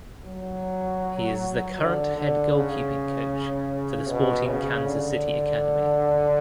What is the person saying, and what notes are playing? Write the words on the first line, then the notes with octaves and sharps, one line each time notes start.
He is the current head goalkeeping coach for the Sporting Kansas City academy.
F#3
D3
D3
C#3
B2
C#3
D3